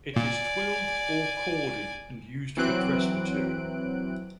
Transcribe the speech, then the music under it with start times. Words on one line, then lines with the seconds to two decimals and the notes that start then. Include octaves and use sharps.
It is twilled or corded and used for dress-material.
0.16 A#2 D5 G#5
2.57 E3 F#3 C4 F#6 D7